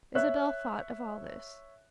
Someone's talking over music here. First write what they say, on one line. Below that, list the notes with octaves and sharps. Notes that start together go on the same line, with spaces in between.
Isabel thought of all this.
C#5 E5 F#6